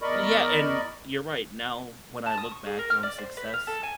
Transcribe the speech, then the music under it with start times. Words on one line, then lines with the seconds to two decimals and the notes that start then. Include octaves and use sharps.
well, yeah, and you're right. Now, when I look back on success,
0.02 E2 A#4 D5 D#5 B5 C#6
2.26 A5
2.37 D#6
2.51 C#6
2.66 G#4
2.79 A#4
2.90 F6
3.03 D5
3.18 C5
3.37 B4
3.53 F5
3.67 A4
3.83 G#5